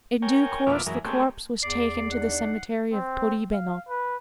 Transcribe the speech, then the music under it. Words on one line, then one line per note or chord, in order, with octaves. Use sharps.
In due course the corpse was taken to the cemetery of Toribeno.
A#4 C#5 G5 G#5
F2 B2 A#3 E4 D6 F6
F#2 E3 G#3 A#4
A3 A#3 C4 C#4 G4 G#4
E2 D5 C7
D4 D#4 D5 F#5
C4
F5
B4